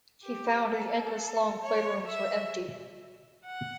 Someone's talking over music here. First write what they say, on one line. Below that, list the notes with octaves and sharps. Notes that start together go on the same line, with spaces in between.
He found the endless long playrooms were empty!
G4
A4
C#5
E5
F#5